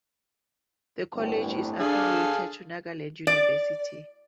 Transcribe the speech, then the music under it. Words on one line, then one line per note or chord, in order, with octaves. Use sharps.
The college is affiliated to Nagaland University.
G1 C2 A2
D4 G#4 A4 F5
D5